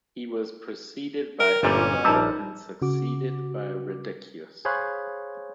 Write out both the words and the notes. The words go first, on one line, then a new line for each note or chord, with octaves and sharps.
He was preceded by Eldol and succeeded by Redechius.
A#4 G5
G1 A#2 G3 C#4 D#5
A#1 G3 D#4 A#5 E6
C#3 F#4 D6
G#4 C5 C#5 F5 B5 F#6